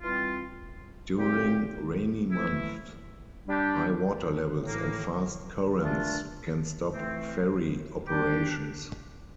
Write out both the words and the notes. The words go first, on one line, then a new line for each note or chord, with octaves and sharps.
During rainy months, high water levels and fast currents can stop ferry operations.
E3 G3 C4 F4
A#2 A3 C4 G4
E3 A3 E4
G3 D4 G4
A2 E3 A#3
A#2 A3 D4 F4
E3 A3 C4
G3 D4 G4